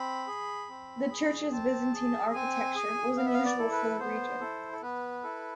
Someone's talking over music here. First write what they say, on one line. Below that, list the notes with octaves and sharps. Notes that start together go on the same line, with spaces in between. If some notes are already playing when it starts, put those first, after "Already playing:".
The church's Byzantine architecture was unusual for the region.
Already playing: C4 B5
G#4
C4
G#4
C4 A5
G#4
C4 G#5
G#4
B3 F5
E5
F5
D5
E4 A4
B4
B3 C5
E4 A4
A4
B3 B4
E4 A4